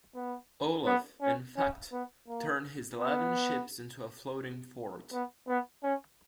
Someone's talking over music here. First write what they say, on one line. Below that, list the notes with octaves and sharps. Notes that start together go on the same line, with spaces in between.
Olaf, in fact, turned his eleven ships into a floating fort.
B3
B3
C#4
C#4
B3
A#3
B3
B3
B3
C#4